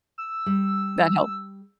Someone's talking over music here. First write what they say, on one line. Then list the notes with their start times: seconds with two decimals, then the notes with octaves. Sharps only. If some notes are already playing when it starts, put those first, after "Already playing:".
that helped.
0.18 E6
0.46 G3